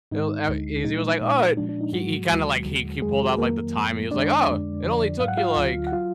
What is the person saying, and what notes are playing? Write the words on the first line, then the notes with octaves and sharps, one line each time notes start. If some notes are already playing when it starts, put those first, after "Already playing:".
He'll eh, e he was, like, "Oh, eh" he he kinda, like, he he pulled out, like, the time, he was like, "Oh, it only took you, like,
G#2 D#3 G#3 D#4
D2 D3 G#3
A#2 F3 G#3 D#4
A#2 G#3
A#2 F3 G#3 D4
D4
D#4
G#2 F3 F#3 G#3 F#4
D#2 D#3 G#3
D#2 D3 G#3
F2 D#3 F#3 G#3 G#4
F#4
G#4
F2 D#3 F#3 A#3 A#4
F#2 F3 G#3
F#2 D#3 G#3 D4 D5
F2 D3 G#3
F2 D3 F3
G#2 F#3 F5
F#5
F4 F5
D2 D3 F#3
F#5
F#3 F4 F5